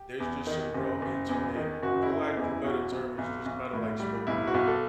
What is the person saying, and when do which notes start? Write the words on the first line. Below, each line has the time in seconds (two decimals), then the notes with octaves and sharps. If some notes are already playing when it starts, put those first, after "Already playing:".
There's just some real intimate for lack of a better term, it's just kinda like spoken word.
Already playing: G4
0.20 E2
0.47 D#3
0.74 F#1
1.02 F#1
1.29 E2
1.56 D#3
1.83 F#1 F#4
2.03 E4
2.10 F#1
2.24 D#4
2.37 E2
2.44 E4
2.64 B1 F#4
2.92 B1
3.18 B1
3.46 B1
3.73 A2
4.00 G3
4.27 B1 E4
4.47 F#4
4.54 B1
4.67 A4